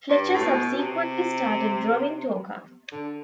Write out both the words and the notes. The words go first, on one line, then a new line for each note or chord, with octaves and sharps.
Fletcher subsequently started drawing Torkan.
G2
A2
B2
C3
D3